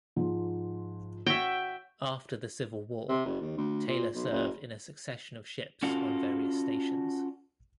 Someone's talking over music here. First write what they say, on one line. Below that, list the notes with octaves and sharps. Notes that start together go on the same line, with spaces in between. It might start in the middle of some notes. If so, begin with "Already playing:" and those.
After the Civil War, Taylor served in a succession of ships on various stations.
G#2 F3
F#4 C#5 E5 G5
C3
F#1
D#2
D2
A#2
B1
F#1
C#4 F4 F#4 A4 D5 F5